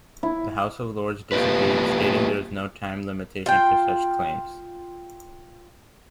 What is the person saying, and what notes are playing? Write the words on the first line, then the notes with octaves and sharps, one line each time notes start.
The House of Lords disagreed, stating there was no time limitation for such claims.
E4
A#3 F4 G4 B4
F4 G5